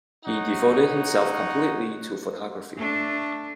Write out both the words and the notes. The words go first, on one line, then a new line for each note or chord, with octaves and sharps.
He devoted himself completely to photography.
D#4 C#5 F#5
A3 D4